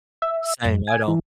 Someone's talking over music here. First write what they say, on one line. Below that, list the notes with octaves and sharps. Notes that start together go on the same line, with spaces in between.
Saying I don't
E5
F#2
G#5
E3